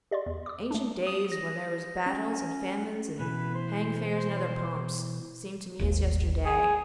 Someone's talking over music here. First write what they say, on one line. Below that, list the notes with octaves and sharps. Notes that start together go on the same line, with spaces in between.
Ancient days, when there was battles and famines and hang-fairs and other pomps, seem to me as yesterday.
G4 D5 D#5 C6
E2
D6 D#6
A3 D4
D#6
A#6
C#4
B2 E3 B4
C5
D#1 G#1 D#2
G#4